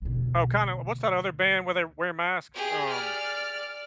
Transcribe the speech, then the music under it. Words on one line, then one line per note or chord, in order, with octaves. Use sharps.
Oh, kinda what's that other band where they wear masks, um,
D2 B2
G4 G#4
D5 F6